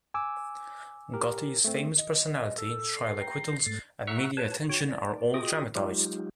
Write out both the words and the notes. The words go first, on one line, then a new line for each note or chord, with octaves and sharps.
Gotti's famous personality, trial acquittals, and media attention are all dramatized.
G#5 D6 E6
G4 A#4
A3 C4
D#5
A4 E6
C7
G5 A#5
G#2 A3 A6
E5 F#5 A#5 C#6 E6 F#6
B4 C#5 A5
F#4 C#5 G5
D5
F4 F#4 G#4 D#5 G5 D#6
F#3 G#3 D#4 F4 G4